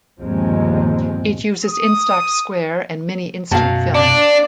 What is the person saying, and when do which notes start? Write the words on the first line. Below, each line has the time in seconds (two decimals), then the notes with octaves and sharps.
It uses Instax Square and Mini instant film.
0.20 G1 D#2 A#2 F3 G#3 C4
1.65 D#6
3.51 F#2 B2 F5 F#5 A5
3.95 D4 D5